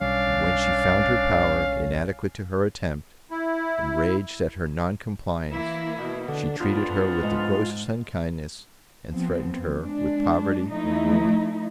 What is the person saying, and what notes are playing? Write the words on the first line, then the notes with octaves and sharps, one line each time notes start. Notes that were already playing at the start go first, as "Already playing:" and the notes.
And, when she found her power inadequate to her attempt, enraged at her non-compliance, she treated her with the grossest unkindness, and threatened her with poverty and ruin.
B1 G3 C#4 D4 F5
E4
E3 A#3 E4
B2
D3 D4
F2 B3 F4
G#2
F3 B3 C4
G#3 D4
F3 A3 D#4 E4